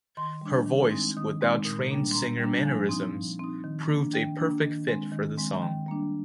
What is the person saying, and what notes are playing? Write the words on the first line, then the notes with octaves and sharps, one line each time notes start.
Her voice, without trained singer mannerisms, proved a perfect fit for the song.
D#3 C6
G3 D4
D#3
G#3 C4 D#4
D#3 D#6
G#3 C4 D#4
A#2 D#6
G3 A#3 D4
C6
A#2 A#5
G3 A#3 D4
F3 G#5
C4 D#4
F3
C4 D#4
D#3
A#3 D4
D#3 G5
A#3 D4
D#3
G#3 C4
D#3
G#3 C4
D#3 G5
G3 A#3 D4